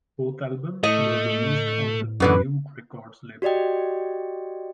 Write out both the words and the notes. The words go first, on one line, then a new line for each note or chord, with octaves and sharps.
Both albums were released on the Prelude Records label.
A2 A3 D#5
F#2 B2 D3 E3 B4
F#4 G4 D5 D#5 G5